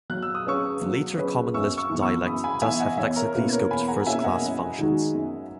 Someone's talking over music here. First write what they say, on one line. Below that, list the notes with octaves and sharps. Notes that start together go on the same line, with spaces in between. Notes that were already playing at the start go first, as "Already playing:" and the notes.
The later Common Lisp dialect does have lexically scoped first-class functions.
F#3 F#6
E6
D#6
C#4 G#4 B4 C#6 E6
F#3
C#4 G#4 B4
F#2 C#6 E6
C#6 E6
E3 B3
C#6 E6
F#2 B5 D#6
G#5 B5
E3 B3 E5 G#5
D#5 F#5
E2 C#5 E5
A#4 C#5
B2 A#3 C#4 E4 B4
A#4 C#5
E2 G#5 B5
F#5 A#5
B2 A#3 C#4 E4 E5 G#5
D#5 F#5
F#2
D#3 G#3 D#4 F#4
F#2